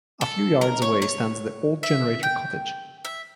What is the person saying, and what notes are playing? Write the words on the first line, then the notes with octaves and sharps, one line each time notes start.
A few yards away stands the Old Generator Cottage.
A4
A#4
C#5
C#5
E5
G5
E5